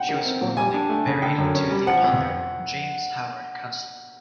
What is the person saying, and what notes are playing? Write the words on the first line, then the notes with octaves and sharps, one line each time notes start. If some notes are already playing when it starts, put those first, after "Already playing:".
She was formerly married to the author James Howard Kunstler.
Already playing: F#5 G5
D#3
C4
A#2
G3 G#5
D4
A3
C#3
D3 G5
F#2
C#4
G3
F3 F#5
F2